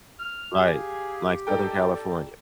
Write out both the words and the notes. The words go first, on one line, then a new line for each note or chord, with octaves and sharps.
Right, like Southern California.
F6
G4 G#4 F5 G#5
D#4 A4 D5 G5